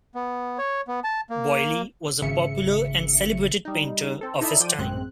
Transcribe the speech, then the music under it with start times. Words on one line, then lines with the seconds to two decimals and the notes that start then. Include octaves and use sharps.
Boilly was a popular and celebrated painter of his time.
0.15 B3
0.58 C#5
0.88 B3
1.04 A5
1.30 A#3
2.22 G#1 C#3 E5 C#7
3.65 G3 D#4
4.21 C4 A4
4.41 D#4 E4 A4 D5 E5
4.60 F3 D5 G5 D#7
4.79 A1 F#2 G#3 C4 F#6